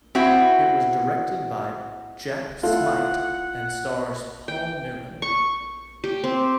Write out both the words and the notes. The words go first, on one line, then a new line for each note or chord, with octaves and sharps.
It was directed by Jack Smight and stars Paul Newman.
C4 E4 F#4
A3 E4 F4 A4 F#5
G5
C#6
G4
C4